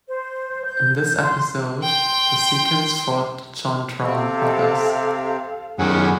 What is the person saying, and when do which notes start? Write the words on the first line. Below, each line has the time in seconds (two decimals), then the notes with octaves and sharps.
In this episode the Seacons fought the Jointron Brothers.
0.08 C5
0.65 G6
1.22 C6
1.83 G5 C6
4.03 C3 C4 A4 F5
5.79 F#2 D#3 C#4 G#4 F#5